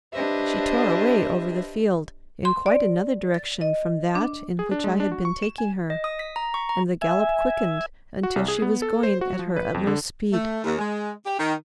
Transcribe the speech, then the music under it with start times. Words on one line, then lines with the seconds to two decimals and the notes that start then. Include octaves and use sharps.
She tore away over the field in quite another direction from that in which I had been taking her, and the gallop quickened until she was going at her utmost speed.
0.13 D4 G4 B4 C5 D#5 E5
2.45 C6
2.66 D5
3.34 A6
3.61 D#5
4.15 D4
4.59 G#4
4.71 D4
4.84 G#3
5.00 D4
5.12 F#4
5.25 C#6
5.42 E7
5.58 G#5
5.90 D#5
6.04 D#6
6.19 B6
6.36 A#5
6.54 C#6
6.69 A#5
7.02 E5 G#5
8.23 F#4
8.36 C2
8.48 G#4
8.62 B3
8.82 A4
9.03 C5
9.21 F#4
9.39 F3
9.56 B4
9.74 F2
9.87 D3
10.33 A3
10.64 D#2
10.79 G#3
11.26 G4
11.39 D#3